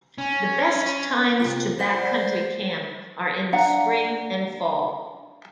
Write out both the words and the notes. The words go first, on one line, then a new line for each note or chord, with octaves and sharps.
The best times to backcountry camp are in the spring and fall.
C#4
C3 C4 F4
B4 C5 D5 F#5
D4 F5 F#5 A#5